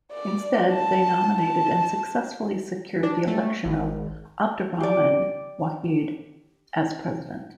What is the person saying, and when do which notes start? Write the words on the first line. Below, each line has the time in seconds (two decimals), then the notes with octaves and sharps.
Instead, they nominated and successfully secured the election of Abdurrahman Wahid as President.
0.12 D5
0.71 A5
1.42 A5
3.03 D4
3.28 A3
3.65 G#1
4.80 G4 D5